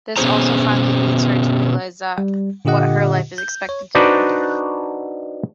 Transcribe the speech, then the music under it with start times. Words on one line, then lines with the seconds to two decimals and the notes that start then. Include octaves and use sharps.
This also finally leads her to realise what her life is expected to be.
0.17 B2 B3 C#4 G#4 C5 A#5
2.18 G3
2.65 A#2 D3 F4 G4 D#5 F#5
3.38 G6
3.69 C#5
3.95 D4 D#4 F#4 B4 C5 D5